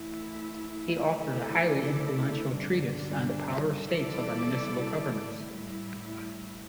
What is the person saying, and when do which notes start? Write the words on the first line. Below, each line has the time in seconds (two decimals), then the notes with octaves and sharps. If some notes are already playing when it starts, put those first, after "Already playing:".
He authored a highly influential treatise on the power of states over municipal governments.
Already playing: E3 A3 E4
1.20 D3 A3 E4 A4 D5
2.55 G2 D3 G3 D4
3.88 E3 G3 E4 A4 D5
5.23 A2 G3 E4